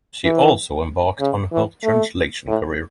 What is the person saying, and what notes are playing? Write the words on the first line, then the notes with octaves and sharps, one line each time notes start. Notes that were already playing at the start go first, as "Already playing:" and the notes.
She also embarked on her translation career.
E3
C#3
E3
A3
A2